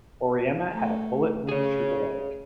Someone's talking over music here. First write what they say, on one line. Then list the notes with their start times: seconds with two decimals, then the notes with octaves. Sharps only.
Oryema had a bullet wound through the leg.
0.72 A3
1.49 C#3 G#4 C#5